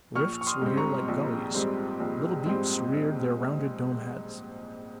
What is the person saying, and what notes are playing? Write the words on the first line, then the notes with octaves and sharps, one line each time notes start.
Rifts were here like gulleys; little buttes reared their rounded, dome heads.
A#1 C#6 F6
C#6
C6 D#6
G#2 G3 C4
A#5 C#6
A#1
G#2 G3 C4
A#1
G#2 G3 C4